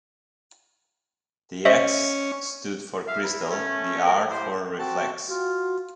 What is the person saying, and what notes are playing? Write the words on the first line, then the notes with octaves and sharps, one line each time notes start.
The X stood for crystal, the R for reflex.
C#4 C5 D#5 E5
E5 F5
E2 E4 A#5
A3 C#4
F#2 A3 A4 A#4
E4 G4 C5
C4 F#4 A5
F4 F#4